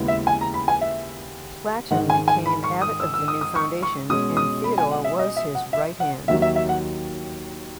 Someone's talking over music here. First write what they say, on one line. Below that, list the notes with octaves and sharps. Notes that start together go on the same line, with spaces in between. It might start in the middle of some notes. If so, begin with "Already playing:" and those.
Platon became abbot of the new foundation, and Theodore was his right hand.
Already playing: D#2 C#3 G#3 B3 E4
E5
G#5
A#5
B5
G#5
E5
G#2 D#3 G#3 F#5
G#5
G#5
B5
C#6
D#6
E6
E6
D#6
D#6
C#6
C#6
B2 G#3 C#4 D#6
D#6
B5
G#5
F#5
E5
D#5
E5
F#5
E5
F#5
D#2 D#3 F#3 E5
E5
E5
F#5